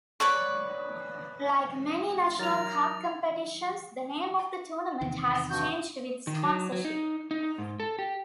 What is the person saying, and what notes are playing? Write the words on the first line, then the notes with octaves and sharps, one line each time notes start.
Like many national cup competitions, the name of the tournament has changed with sponsorship.
B4 C#5 D5 C#6
F#3 D#4 A#4 A6 F7
E2 C3 D#3
G2 F#4 G6
D#3
F#3
F#3
D#4
D#4
G#2
A4
G4